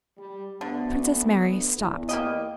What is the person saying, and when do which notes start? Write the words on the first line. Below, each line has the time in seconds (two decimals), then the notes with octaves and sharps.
Princess Mary stopped.
0.18 G3
0.61 D2 D3 B3
1.77 E2
2.09 A#3 G4 D#5